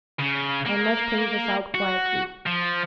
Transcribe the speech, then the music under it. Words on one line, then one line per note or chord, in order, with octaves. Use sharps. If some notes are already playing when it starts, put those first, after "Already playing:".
I must think this out quietly.'
C#3
A#3
F#4
F3